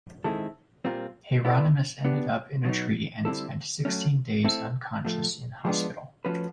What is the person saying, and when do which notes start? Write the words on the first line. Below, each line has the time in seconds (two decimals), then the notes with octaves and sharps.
Hieronymus ended up in a tree and spent sixteen days unconscious in hospital.
0.24 D#3 G#3 C4 E4 A4
0.85 A#2 G3 C4 F4 A#4
1.45 B3 E4 A4 D5
2.05 B3 D4 G4
2.65 B2 F#3 B3 D#4
3.25 D3 G3 C4 E4 A4
3.85 F#3 A3 C#4
4.44 A3 C4 E4
5.05 A2 F3 A3
5.65 F3 G#3 B3 D4
6.25 F3 A3 C#4 F#4 B4